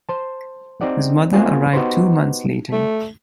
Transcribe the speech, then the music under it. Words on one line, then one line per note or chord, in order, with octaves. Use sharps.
His mother arrived two months later.
C5 A5
C4 D#4 G4 D5 F#5
A#3 C4 C#4 F4 F#4 G#4
B3 D#4 F#4 G4 B4 C5
A3